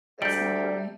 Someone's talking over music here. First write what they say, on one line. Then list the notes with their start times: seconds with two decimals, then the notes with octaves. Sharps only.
That's not for me.
0.22 D2 G3 E5 A5 A#5 G6 D7